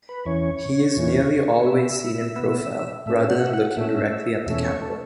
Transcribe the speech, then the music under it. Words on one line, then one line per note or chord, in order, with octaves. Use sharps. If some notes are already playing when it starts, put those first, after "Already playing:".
He is nearly always seen in profile, rather than looking directly at the camera.
B4
E2 E3 C#4 C#5
E2 E3 C#4
C#5
B2 B3 E5
B2 B3
A2 A3 C#4 E5
F#5
E5
F#5
F#5
A2 A3 C#4 E5
E2 B2 A3 C#4 E5
C#5
A4